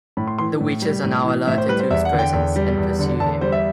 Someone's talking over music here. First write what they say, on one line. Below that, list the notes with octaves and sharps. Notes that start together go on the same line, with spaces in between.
The witches are now alerted to his presence and pursue him.
A2 B5
C6
E3 C6
A2
G3
A2
E3
A2 E5
C5
G3 B4
C5
E2 E5
F#5
D3
G5
E2
G3
E2
D3
E2 A5
G3 C5
E5